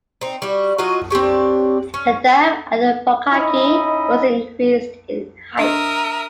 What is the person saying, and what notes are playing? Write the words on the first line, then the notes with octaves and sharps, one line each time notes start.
The dam at Pukaki was increased in height.
C4 D#4
G3 F#4
F#3 F4 F#4 D#5
C4 D4 G4 C#5
C#4
C#4 D#4 E4 D#5 B5
D4 A#4 D#5 E5 D#6